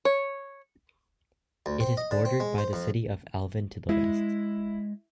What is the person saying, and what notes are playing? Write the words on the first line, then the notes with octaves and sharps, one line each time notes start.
It is bordered by the city of Alvin to the west.
C#5
D2
C4
D#5
D3
C4
G#3
C5
F2
G#3 E4